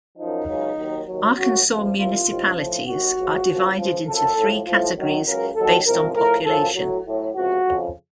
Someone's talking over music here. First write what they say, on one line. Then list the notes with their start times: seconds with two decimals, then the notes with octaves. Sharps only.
Arkansas municipalities are divided into three categories based on population.
0.18 F#2 F3 D#4
0.48 C#2 C#3 F#3
0.78 D#2 D#3 F#3
1.07 D#2 D#3 F#3
1.38 D#2 C#3 F#3 F#4
1.67 C#2 C3 F3
1.97 C2 C3 F3 F4
2.27 C2 C3 D#3 F#3
2.57 A2 F3
2.87 D#2 D#3 F#3 F#4
3.17 C#2 C#3 F3
3.47 D#2 C#3 F3
3.76 C#2 C#3 F3
4.06 F#2 F3 A4
4.36 A2 F3
4.66 A2 F3
4.96 F#2 D#3 F#3
5.26 C#2 C#3 F#3 A#4
5.55 D#2 D#3 F#3 A4
5.85 C2 C3 F3 A#4
6.15 A2 F3 A#4
6.45 F#2 C#3 F3 A4
6.75 A2 F#3
7.05 A2 F#3
7.35 C#2 C3 F3 F#4
7.64 F2 C#3 F3